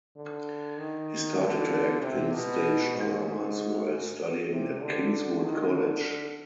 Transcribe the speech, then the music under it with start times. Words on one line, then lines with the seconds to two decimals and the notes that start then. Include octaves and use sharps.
He started to act in stage dramas while studying at Kingswood College.
0.16 D3
0.78 D#3
1.40 D3
2.02 C3
2.33 B2
2.95 G#2
3.27 G#2
4.51 C3
4.82 D3
5.44 D#3
5.75 D3